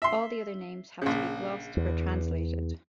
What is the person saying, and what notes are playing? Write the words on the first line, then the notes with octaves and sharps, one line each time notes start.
All the other names have to be glossed or "translated".
E5 C6
A#1 C#3
E2